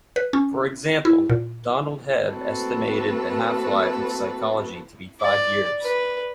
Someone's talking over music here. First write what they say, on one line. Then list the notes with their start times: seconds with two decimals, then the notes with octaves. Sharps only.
For example, Donald Hebb estimated the half-life of psychology to be five years.
0.16 B4
0.33 C#4
1.05 E4
1.30 A#2
2.25 A3 A#3 C4 F#4 A4 B4
5.21 D5
5.82 B4